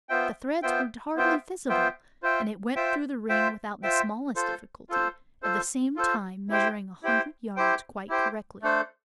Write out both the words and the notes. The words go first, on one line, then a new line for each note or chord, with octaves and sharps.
The threads were hardly visible, and it went through the ring without the smallest difficulty, at the same time measuring a hundred yards quite correctly.
B3 F4 C5 E5 G5
B3 F4 C5 E5 G5
B3 F4 C5 E5 G5
B3 F4 C5 E5 G5
F4 C5 E5 G5
F4 C5 E5 G5
F4 C5 E5 G5
F4 C5 E5 G5
F4 A4 C5
F4 A4 C5
F4 A4 C5
F4 A4 C5
E4 G4 C5 G5
E4 G4 C5 G5
E4 G4 C5 G5
E4 G4 C5 G5
A3 D4 A4 C5